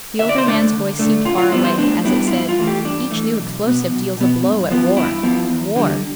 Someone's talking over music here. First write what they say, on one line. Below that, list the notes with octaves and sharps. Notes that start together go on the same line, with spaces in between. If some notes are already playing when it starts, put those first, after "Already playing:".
The older man's voice seemed far away, as it said, 'Each new explosive deals a blow at war,--war!'
D2 E5
D5
C5
D3 A3 D5
D2
D3 A3
A2 F4
F4
G3 B3 E4
C5
A2 D4
G3 B3 E4
F4
G2 E4
F4
E3 A3
G4
G2 D4
E3 A3
B1
B2 B3
B1
B2 B3
G2
F3 B3
G2 E4
F3 B3
E2
D3 G3